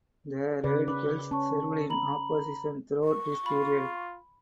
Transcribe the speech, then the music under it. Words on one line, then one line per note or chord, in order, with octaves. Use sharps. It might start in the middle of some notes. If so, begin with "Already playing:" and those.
The Radicals served in opposition throughout this period.
C#3 B4 D5
B4 D6
C#4 A5 C#6
A#5 B5 F#7
C#6
F4 B5